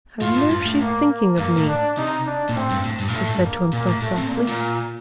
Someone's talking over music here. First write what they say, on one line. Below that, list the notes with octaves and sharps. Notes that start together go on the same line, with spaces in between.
"I wonder if she's thinking of me?" he said to himself softly.
A2 F4
A2
G2
A2
A#3
A#3
G2 A#3
A2
D4
C3 D#4
D4
A#2
A2 C4
G2
A2
G2
A#2
A2 A3
A2
G2
A#3
A#2 A#3
A2
A2 A3
C3
A#2 A#3
A2
A#2